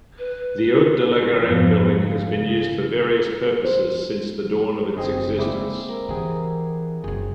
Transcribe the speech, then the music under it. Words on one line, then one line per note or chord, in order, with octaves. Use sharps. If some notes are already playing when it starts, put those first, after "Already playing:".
The Haut de la Garenne building, has been used for various purposes since the dawn of its existence.
B4
F2 G#2
C#3
C5
F#1 C4 G#4 D#5
G#3 A#3 E4 D5 E6
A#4
E3 G4 G#4 F#5
F#1 F#3 G#4